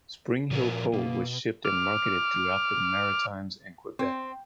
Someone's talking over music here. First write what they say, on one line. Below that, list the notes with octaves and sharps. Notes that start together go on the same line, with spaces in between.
Springhill coal was shipped and marketed throughout the Maritimes and Quebec.
A#2 F3 F#4 A#4
B2 A#3
D6 F6
C4